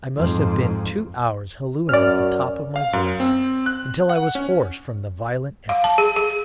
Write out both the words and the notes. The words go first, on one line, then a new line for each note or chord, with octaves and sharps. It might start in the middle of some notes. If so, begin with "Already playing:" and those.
I must have been two hours hallooing at the top of my voice, until I was hoarse from the violent effort.
F2 G#2
F#2 C#4 D5 F6
F5
F#2
C4
F#6
F#5
C#4
F5
A5
G#4
G#4